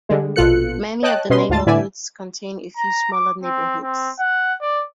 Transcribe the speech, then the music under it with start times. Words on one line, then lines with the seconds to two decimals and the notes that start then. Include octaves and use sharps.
Many of the neighborhoods contain a few smaller neighborhoods.
0.09 D3 G3 G#3
0.36 A#1 B2 F4 A4 F#6 C#7
1.03 C#5 D#5 G5 A5 F#6
1.30 B2 C#4 B4 D#5 C6
1.49 D2 G#2 F4 A5 A6
1.66 A2 D3 E3 D5 E5 G#5
2.77 A#5
3.12 D6
3.44 C4
3.83 C4
4.20 F#5
4.62 D5